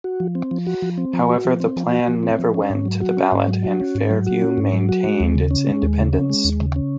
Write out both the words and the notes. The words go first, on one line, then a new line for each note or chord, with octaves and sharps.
However, the plan never went to the ballot and Fairview maintained its independence.
F#4
F3
C4
F3
F#4
F3
C4
F3
F#4
F3
C4
F3
F#4
F3
C4
F3
C#4
G#2
F#3
F#4
C#4
G#2
F#3
F#4
C#4
G#2
F#3
F#4
C#4
G#2
F#3
F#4
G#3
D#2
C#3
C#4
G#3
D#2
C#3
C#4
G#3
D#2
C#3
C#4